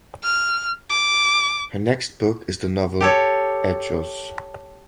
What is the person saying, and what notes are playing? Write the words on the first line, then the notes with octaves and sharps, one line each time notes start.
Her next book is the novel "Hechos".
F6
D6
G4 A4 C#5